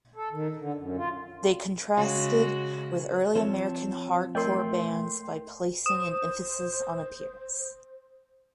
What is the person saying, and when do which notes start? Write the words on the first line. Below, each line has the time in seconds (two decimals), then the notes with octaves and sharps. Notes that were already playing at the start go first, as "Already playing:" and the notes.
They contrasted with early American hardcore bands by placing an emphasis on appearance.
0.16 A4
0.32 D#3
0.58 D3
0.77 F#2
0.97 F4
1.97 C#3 G#3 F#4
3.35 F3 C4 F4 C5 C#5 A5
4.35 A3 A#4 C#5 D#5 G5 C6
5.86 C5 D#6 E7